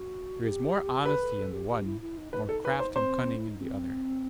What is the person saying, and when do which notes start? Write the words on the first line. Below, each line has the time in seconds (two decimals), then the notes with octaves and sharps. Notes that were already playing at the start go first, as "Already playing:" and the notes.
There is more honesty in the one, more craft and cunning in the other.
Already playing: F#4
0.42 G4
1.05 B4
1.21 A4
1.37 A4
1.53 G4
1.69 G4
1.84 E4
2.00 E4
2.17 D#4
2.32 D#4 B4
2.49 A4
2.65 B4
2.80 C5
2.96 C4 C5
3.34 E4
3.47 D#4
3.60 C4